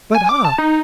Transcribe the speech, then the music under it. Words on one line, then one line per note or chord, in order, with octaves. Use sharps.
But, ha!
G#5
D6
A5
D#4